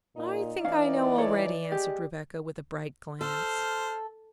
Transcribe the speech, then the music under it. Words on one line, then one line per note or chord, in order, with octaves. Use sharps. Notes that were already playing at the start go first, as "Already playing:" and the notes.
"I think I know already," answered Rebecca, with a bright glance.
A#2 D#4
E3 C#4 D5 F5
A4 C#5
G#3 G4
A4 C5 F6